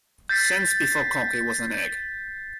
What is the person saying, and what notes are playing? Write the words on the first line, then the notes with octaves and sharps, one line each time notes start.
Since before cocky was an egg.
G6 A6 B6 C7